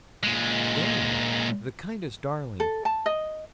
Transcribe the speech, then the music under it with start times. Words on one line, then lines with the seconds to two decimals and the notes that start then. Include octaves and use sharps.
'Very--the kindest darling.
0.23 A#2 G#3
2.60 A4
2.85 A5
3.06 D#5